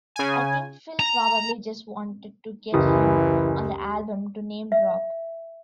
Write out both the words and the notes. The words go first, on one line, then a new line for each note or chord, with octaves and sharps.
I think Phil probably just wanted to get him on the album to name-drop.
C#3 G#5
A#5
F#1 D2 E3 G4 D#6
E5